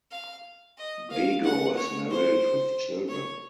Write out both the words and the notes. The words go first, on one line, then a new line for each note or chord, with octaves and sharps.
Bago is married with children.
F5
D#5
F5
F#5
C#5
C5
C#5